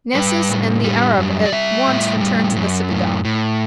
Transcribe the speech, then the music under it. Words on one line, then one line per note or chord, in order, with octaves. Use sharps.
Nessus and the Arab at once returned to the citadel.
G3 B4
A2
G3
F#2
D5
G3 E5
A2
G3
F#2
A2
A2